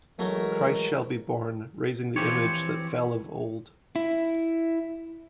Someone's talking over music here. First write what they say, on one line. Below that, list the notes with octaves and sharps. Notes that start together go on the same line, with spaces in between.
Christ shall be born, raising the image that fell of old.
E3 F#3 G#3 A3 A#4
E3 F3 C4 G4 C#5
E4